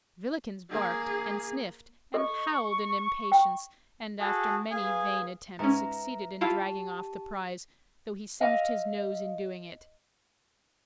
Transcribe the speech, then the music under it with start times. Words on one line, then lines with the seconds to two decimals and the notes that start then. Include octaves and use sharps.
Villikins barked, and sniffed, and howled in impatience, and after many vain attempts succeeded in dragging off the prize, though he singed his nose in doing it.
0.69 A#3 G#4
2.14 A4 D#5 C#6
3.32 G5
4.20 F#4 G#4 A4
4.70 G#4 B4 F5 G#5
5.59 G#2 C#4 B4 E5 A#5
6.41 E4 F4 G4 F5 A5
8.40 D#5 F5